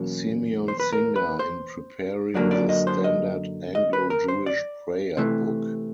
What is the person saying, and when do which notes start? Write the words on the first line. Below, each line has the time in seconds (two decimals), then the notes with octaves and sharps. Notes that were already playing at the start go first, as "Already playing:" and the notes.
Simeon Singer in preparing the standard Anglo-Jewish prayer book.
Already playing: E2 B2 F#3 A#3 C#4
0.68 C5
0.80 B4
0.92 A#4
1.16 B4
1.39 C5
2.34 F#2 D3 F#3 A#3 D5
2.51 D5
2.69 D#5
2.87 C5
3.04 D#5
3.75 D#5
3.93 B4
4.10 A#4
4.28 C5
4.46 D5
5.17 C3 E3 A3